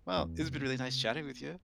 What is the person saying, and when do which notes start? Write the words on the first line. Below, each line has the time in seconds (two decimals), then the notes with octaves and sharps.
Well, it's been really nice chatting with you.
0.17 E2 B3
0.41 C3
0.64 C3